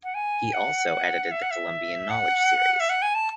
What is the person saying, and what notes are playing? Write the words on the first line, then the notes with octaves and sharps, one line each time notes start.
He also edited the Columbian Knowledge Series.
F#5
G#5
F#5
E5
F#5
E5
F#5
E5
F#5
G#5
A5